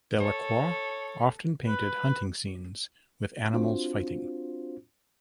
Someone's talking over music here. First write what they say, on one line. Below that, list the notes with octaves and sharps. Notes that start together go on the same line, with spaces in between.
Delacroix often painted hunting scenes and animals fighting.
A4 C#5
B4
C4 D4 F4 F#4 C5